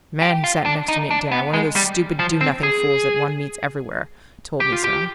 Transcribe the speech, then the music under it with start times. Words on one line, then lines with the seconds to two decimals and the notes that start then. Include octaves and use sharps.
A man who sat next me at dinner,--one of those stupid do-nothing fools that one meets everywhere,--told me so.
0.22 G4
0.44 F4
0.66 D4
0.88 D#4
1.10 D4
1.31 B3
1.54 G#3
1.76 G3
2.19 F3
2.41 C4
2.63 G#4
4.60 G4
4.72 F4
4.84 G4